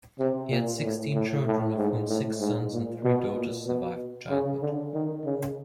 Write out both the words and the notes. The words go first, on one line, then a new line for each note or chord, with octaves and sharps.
He had sixteen children of whom six sons and three daughters survived childhood.
C3
A#2
A2
A2
A2
G#2
A2
G#2
A#2
B2
A#2
B2
C#3
D3
D#3
C#3